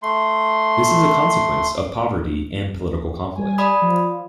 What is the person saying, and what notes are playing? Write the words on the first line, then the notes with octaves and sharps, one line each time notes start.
This is a consequence of poverty and political conflict.
A3 C6
G3 G#5
D5 B5 D#6
F3